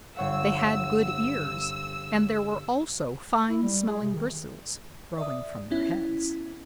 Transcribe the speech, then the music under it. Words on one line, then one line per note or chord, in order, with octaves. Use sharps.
They had good ears, and there were also fine smelling-bristles growing from their heads.
G1 C#5 F#5 E6
E4
G3
G#4
C3
D#3
D5 E5 D#6
B3 C#4 E4